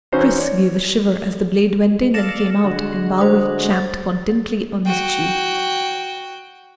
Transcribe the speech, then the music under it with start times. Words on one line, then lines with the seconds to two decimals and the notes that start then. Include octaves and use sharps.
Chris gave a shiver as the blade went in and came out and Bowie champed contentedly on his chew.
0.12 E3 C#4 D#4 F#4 C5 C#5
0.39 C#5 D5
2.14 A4 D5 F5 A#6 C#7 E7
2.64 D3 G#3 F#4
3.18 C5 D#6
3.77 A6
4.86 F#4 G5